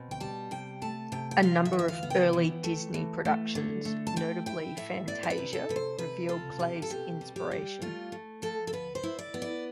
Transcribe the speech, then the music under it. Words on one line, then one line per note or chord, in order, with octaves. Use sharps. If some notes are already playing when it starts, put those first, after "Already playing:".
A number of early Disney productions, notably "Fantasia", reveal Kley's inspiration.
Already playing: B2 C4
G5
G3 A5
C3 G5
A3 A5
C3 G5
G5
F4 F5
E5
E3
E5
F5
B3
G5
E3
A3
E3
A3
D3
A3
A5
E4 G5
E4 G5
A2 E5
B3 D5
C5
B4
C3
A4
C3 B4
C5
C3 B4
F4 A4
C3 G4
A4
B2 G4
G3
G4
G3
A3 F4
A3
F3 A4
A4
B3 B4
C5
E4
D5
B3
D5